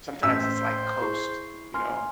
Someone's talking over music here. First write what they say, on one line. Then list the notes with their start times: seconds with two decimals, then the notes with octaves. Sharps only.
Sometimes it's like coast, you know,
0.23 A1 C5 E6 G6 B6
1.01 E4 G#4 C#6 C7
1.74 G#5 C6 F6